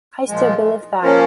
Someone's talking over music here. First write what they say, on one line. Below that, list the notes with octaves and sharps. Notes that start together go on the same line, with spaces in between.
I still believe that.
A#2 F3 G#3
F3 A#3 C#4